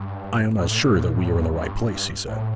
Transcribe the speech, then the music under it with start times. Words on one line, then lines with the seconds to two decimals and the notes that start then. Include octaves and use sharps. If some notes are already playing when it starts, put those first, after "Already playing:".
'I am not sure that we are in the right place,' he said.
Already playing: G2
0.59 A2
0.71 A2
0.77 A#2
0.87 A2
0.96 A#2
1.14 A2
1.24 A2
1.34 G2
1.53 G2
2.28 A2